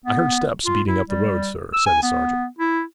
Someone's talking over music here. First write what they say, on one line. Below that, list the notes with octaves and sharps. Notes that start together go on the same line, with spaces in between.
'I heard steps beating up the road, sir,' said the sergeant.
B3
F4
E4
G3
E6
G#5
B3
E4